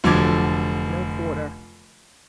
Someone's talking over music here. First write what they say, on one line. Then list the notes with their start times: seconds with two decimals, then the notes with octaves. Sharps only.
No quarter.
0.04 F1 D3 F3 F#3 D6 G#6